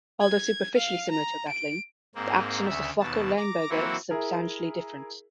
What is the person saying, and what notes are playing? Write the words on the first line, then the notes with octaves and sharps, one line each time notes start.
Although superficially similar to a Gatling, the action of the Fokker-Leimberger was substantially different.
G#6
F5
A#5
D7
G#2 A#3 C4
D2 C#3 E5
D#2 B2 A5
A#5 D6
E3 F#3 A#3 C4 E4 C#5
E4 G#4 A#4